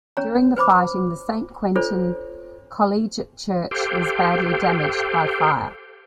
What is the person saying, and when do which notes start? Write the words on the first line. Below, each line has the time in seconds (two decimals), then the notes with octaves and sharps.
During the fighting the Saint-Quentin collegiate church was badly damaged by fire.
0.17 C#4 C#5 A#5
0.57 B4 C5 B5 D6
1.75 D4 F4 A4 C5 C#5
3.71 G4 A4 C5 F5 G5